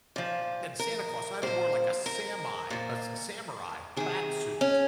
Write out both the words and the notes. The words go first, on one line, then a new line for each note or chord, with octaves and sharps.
than Santa Claus, so I had to wore like a samai a s samurai fat suit
A#2 F3
A#4
A#2 F3 C5
A#4
A#2 F3
C3 D#3 G#4
C#4